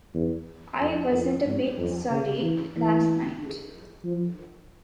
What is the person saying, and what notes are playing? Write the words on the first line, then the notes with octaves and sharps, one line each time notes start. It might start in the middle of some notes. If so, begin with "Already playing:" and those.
I wasn’t a bit sorry last night.
E2
F2
F2
G#2
F2
C#3
E3
E3
F3